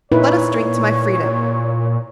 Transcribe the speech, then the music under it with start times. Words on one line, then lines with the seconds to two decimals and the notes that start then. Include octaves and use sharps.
Let us drink to my freedom.
0.12 A#2 D#4 E4 B4 C#5